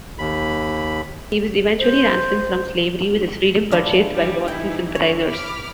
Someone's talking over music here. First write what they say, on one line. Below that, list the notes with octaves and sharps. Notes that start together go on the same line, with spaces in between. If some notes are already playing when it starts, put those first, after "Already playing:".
He was eventually ransomed from slavery, with his freedom purchased by Boston sympathizers.
D#2 B5
C5
A2 E3 F3 D4 E4
D3 E3 G3
D#4 E4 G5
D3 C#5
B5 D6 F6